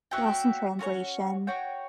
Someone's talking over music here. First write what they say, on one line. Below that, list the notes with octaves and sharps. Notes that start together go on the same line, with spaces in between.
Lost In Translation.
F#4 C#5 E5 G5
C#4 F#4 A#4 C#5
F#4 C#5 G5